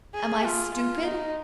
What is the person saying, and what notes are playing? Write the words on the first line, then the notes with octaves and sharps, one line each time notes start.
Am I stupid?
G#4
F4
F4
D#4